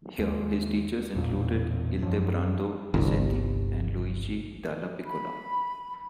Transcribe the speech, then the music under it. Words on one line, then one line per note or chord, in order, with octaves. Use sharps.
Here his teachers included Ildebrando Pizzetti and Luigi Dallapiccola.
D#2 G#3
A1 E2 A#2
F#2 F3
G1 C2
B5